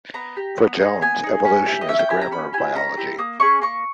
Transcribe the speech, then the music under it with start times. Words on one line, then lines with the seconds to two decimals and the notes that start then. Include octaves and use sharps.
For Jones, 'evolution is the grammar of biology'.
0.14 B3 A#5
0.37 G4
0.59 B3
0.80 D#4 G#4
1.01 B3 G#5
1.23 D#4 G#4
1.45 C#4
1.66 E4 G4
1.81 D#5
1.88 C#4 E5
1.99 G5
2.10 E4 G4 G#5
2.21 A#5
2.31 C#4 B5
2.53 E4 G4 G#5
2.74 C#4 A#5
2.97 E4 G4
3.18 A#3 D#6
3.40 C#4 G#4 C#6
3.62 A#3 C#6